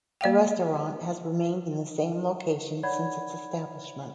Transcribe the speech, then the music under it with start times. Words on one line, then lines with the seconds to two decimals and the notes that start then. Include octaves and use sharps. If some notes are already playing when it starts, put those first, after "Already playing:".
The restaurant has remained in the same location since its establishment.
0.21 A#3 D5 F5 G5
2.83 D#4 C#5 D5 F#5 B5 G#6